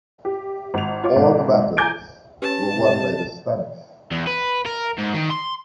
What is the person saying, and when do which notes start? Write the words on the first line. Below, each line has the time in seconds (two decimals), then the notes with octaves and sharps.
All the battles were won by the Spanish.
0.25 G4
0.74 G#1 F7
1.04 F4 C#5 D6
1.16 G#1 G#2 B2
1.77 G#5 A#5 D6 G6 G#6 D7
2.42 C#4 G4 B4 A5
2.74 C3
4.11 E2
4.27 B4
4.66 A#4
4.98 G#2
5.14 D#3
5.30 C6